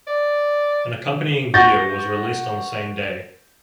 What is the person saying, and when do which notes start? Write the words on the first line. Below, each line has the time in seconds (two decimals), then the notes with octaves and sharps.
An accompanying video was released on the same day.
0.07 D5
1.54 F#5 C#6 G6 A6 A#6